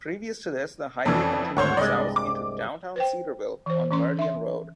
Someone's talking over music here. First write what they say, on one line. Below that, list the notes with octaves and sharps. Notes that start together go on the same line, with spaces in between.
Previous to this, the highway continued south into downtown Cedarville on Merdian Road.
F2 E3 C#4 D4 A4
G#1 D2 A4 C5 C#5 F#5
C2 G2 G#3 D5 D#5
D6
B4 C5 G5
E3 C5
E3 C#4 C6
E5 C6